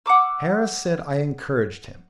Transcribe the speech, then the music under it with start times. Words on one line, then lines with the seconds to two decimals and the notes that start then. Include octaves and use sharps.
Harris said I encouraged him.
0.06 F#5 A#5 D6 E6